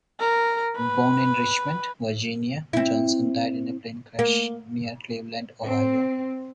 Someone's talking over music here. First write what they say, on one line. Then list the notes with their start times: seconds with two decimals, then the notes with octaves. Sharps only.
Born in Richmond, Virginia, Johnson died in a plane crash near Cleveland, Ohio.
0.19 A#4
0.76 B4
2.73 C4 E4
4.19 A#3
5.65 C4